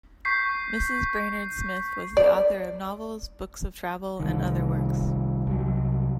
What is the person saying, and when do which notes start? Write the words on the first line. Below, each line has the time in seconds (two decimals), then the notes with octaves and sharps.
Mrs. Brainerd Smith was the author of novels, books of travel and other works.
0.25 C#6 G6 B6 C7
2.17 D5
4.20 C2 D#3
5.47 C2 F#3